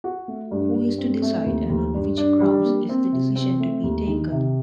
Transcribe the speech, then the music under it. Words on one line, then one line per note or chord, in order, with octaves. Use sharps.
Who is to decide, and on which grounds is the decision to be taken?
F#4
A3
G2
G2
C4
A3
D#2
D#2
G2
D4
G3
A#3
C4
C3
C4
A3
D#2
D#3
C3